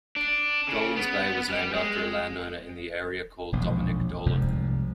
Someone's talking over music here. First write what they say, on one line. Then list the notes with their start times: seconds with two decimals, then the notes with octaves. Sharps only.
Dolans Bay was named after a land owner in the area called Dominick Dolan.
0.16 D4
0.68 C#3
0.96 B3
1.50 G3
1.74 G#3
3.52 E1 A#1 D#2
4.26 F1 C2 G#2 F3